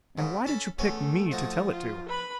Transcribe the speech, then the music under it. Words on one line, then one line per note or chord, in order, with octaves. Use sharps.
"And why did you pick me to tell it to?"
G#2 C#3
C#4 A4 B5
E2 A3 C#4 C#5
F3 D#4 F#4
F4
B4 B5